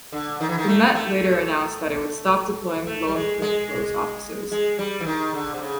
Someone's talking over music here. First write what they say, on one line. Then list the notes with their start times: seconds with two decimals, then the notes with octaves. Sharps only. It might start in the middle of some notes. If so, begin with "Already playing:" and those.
The Met later announced that it would stop deploying lone plainclothes officers.
0.12 D3
0.40 D#3
0.49 E3
0.58 D#3
0.68 A3
0.95 A3
2.87 A3
3.08 G3
3.15 G#3
3.42 G#3
4.52 G#3
4.79 G3
5.00 E3
5.06 D#3
5.34 D3
5.54 C3
5.62 C#3